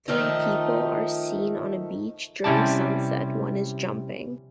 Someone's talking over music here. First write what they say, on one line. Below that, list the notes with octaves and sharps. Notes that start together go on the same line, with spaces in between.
Three people are seen on a beach during sunset, one is jumping.
D#3 F3 A3 D#4
C3 G3 C#4 E4 D5 A5